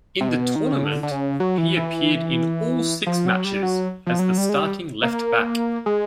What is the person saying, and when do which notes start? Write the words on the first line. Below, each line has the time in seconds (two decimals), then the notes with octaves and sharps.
In the tournament, he appeared in all six matches as the starting left-back.
0.21 C3
0.29 B2
0.56 D#3
0.72 C#3
0.84 D3
1.03 D3
1.11 C#3
1.40 F#3
1.58 E3
1.77 E3
3.07 F3
3.26 F#3
3.45 G3
3.63 F#3
4.06 F3
4.19 F#3
4.38 G3
4.49 G#3
4.56 G3
5.03 A#3
5.86 G#3